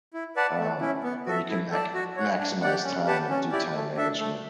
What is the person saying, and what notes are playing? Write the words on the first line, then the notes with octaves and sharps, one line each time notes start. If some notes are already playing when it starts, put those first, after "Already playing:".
um, and you can mac maximize time and do time management
E4
B4 D5 F#5 A5
A3
C#4 E4
B3
F#4 A4 E5
E4
A4 D5 A5
F#4
C#5 F#5
D4
G4 D5 F#5
C#4
G4 B4 F#5 A5
C#4
E4 G4 D5
A3
D4 A4 E5
A3